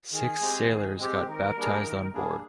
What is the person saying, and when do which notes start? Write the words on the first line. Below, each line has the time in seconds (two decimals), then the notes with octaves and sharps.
Six sailors got baptized on board.
0.12 D#3 G#4
0.40 G#3 C4 G4
0.70 D#3
0.98 G#3 C4 G4
1.27 D#3 A#4
1.55 G3 A#3 D4 G#4
1.84 D#3
2.13 G3 A#3 D4 G#4